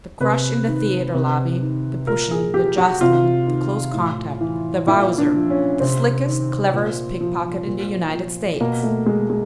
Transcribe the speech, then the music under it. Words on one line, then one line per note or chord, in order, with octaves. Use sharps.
The crush in the theatre lobby--the pushing, the jostling, the close contact--the Wowzer, the slickest, cleverest pickpocket in the United States!
C3 B4
D#3
C3
D#3
A#2 A#4
G#4
F3 G4
F#4
C3 F4
D#3
A2
E3
A#2 E4
D4
F3
C#4
C3 C4
D#3
A#2
F3
A#2
F3
B2 A#3
A3
G#3
G#3